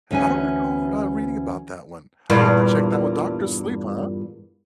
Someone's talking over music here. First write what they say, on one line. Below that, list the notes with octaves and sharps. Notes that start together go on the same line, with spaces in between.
I don't recall, uh, reading about that one. I'll have to check that o Doctor Sleep, huh?
D2 E3 C#4 B4 G#5
E2 G2 A#2